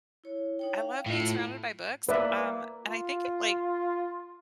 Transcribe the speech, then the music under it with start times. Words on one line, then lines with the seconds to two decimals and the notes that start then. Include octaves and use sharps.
I love being surrounded by books. Um, and I think it like
0.24 E4 C#5
0.59 D#4 C#5 G5
0.74 F5 G5
1.06 A2 E4 F4 A4
2.09 A#3 B4 D5 E5
2.85 F4